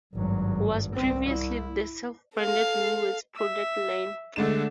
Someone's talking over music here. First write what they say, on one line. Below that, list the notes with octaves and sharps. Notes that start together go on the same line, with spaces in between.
Was previously the self-branded "Woolworths" product line.
G#1 G2 F#3
C2 C4
E4
A4 F5
E5
D3 G#3 A3 D4 E7